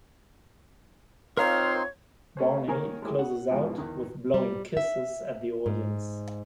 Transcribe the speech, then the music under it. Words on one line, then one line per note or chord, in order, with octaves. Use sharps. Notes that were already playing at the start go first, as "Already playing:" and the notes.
Barney closes out with blowing kisses at the audience.
C4 D#4 F4 A#4 C#5 F5 A#5 C6
A3 C#4 C5
D#3 A#3 C#4 A#4 G#5
G#3 A3 E4 G4 G#4
F#5
C#2 G#2 B2 E3 F3
E2 D#3
G3
E5
G#2